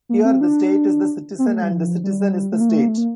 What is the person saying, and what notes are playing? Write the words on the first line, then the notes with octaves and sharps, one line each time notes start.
Here the state is the citizen and the citizen is the state.
A#3
C4
D4
C4
A#3
A3
G3
F3
G3
G3
G3
A3
A#3
A3
A#3
A3
A#3